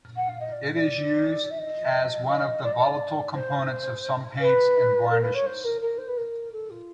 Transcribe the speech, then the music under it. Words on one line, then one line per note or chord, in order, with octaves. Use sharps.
It is used as one of the volatile components of some paints and varnishes.
F#5
F5
D#5
D5
D5
E5
D#5
D#5
D5
D#5
D5
C5
B4
A#4
B4
C#5
C5
A#4
A#4
C5
B4
A#4
A4
F4